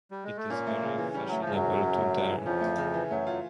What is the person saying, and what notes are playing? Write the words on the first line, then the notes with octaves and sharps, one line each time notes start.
It is very fashionable to dare.
G3
G#3
A3
A#2 A#3 C#4
A3
C#3
E3
G3 C#4
F#3 A3
F3
C#3
F#2 F#3
E3
C#4
A3
C#3
E3
F2 F3 C#4
A3
C#3
E3
F#2 F#3 A3
F4